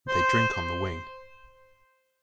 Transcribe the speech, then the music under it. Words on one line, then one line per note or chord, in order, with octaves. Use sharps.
They drink on the wing.
C5